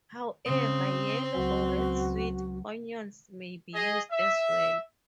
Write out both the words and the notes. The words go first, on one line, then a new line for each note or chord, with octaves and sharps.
However, yellow or red sweet onions may be used as well.
C#3 C4 D#6
C#2 F#3 F#4
G#4 D#5
E5